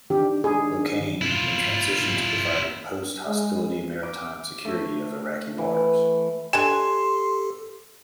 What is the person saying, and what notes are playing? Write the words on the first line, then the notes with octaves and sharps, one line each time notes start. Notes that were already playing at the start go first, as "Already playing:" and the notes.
"O'Kane" then transitioned to providing post hostility maritime security of Iraqi waters.
D#3 D4 G4
G#4
E4 F4
G#3
D6
A3
E3
D4 G4 A4 G#5 C6 E7